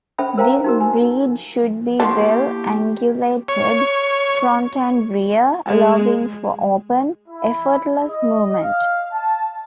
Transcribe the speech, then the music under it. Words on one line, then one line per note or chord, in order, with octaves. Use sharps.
This breed should be well-angulated front and rear, allowing for open, effortless movement.
C#4 A4 C5 E5 G5 B5
A#4 C5 F5 G5 A#5
D#4 F#4 A#4
G#5
D3 A#3 B3 E4 G4 A4 C6 C#6
C#5
G#3
E4
D#5
F5
A5